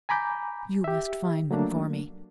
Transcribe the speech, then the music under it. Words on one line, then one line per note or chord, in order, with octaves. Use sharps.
You must find them for me!
G#5 A#5 B5 D6 G6
G4 E5
F#3 A3 A#3 D4